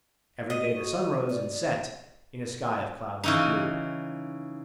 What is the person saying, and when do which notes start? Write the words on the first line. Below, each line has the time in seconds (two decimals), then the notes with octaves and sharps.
Every day the sun rose and set in a sky of cloudless blue.
0.50 D#5
0.72 F#4
1.30 D5
3.24 C#3 E3 D#4